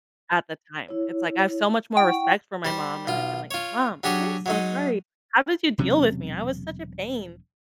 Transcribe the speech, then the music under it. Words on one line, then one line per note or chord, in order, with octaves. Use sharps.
at the time. It's like, I have so much more respect for my mom, and I've been like, "Mom, I am so sorry, how did you deal with me? I was such a pain."
E4 C#5
E4 F#5 G5 C#6
G3 C5
B1 F4
F4 C#5
F#3 D4 G4 G#4 C#5
F#3 G#3 D#4
E1 C3 F#3 C#4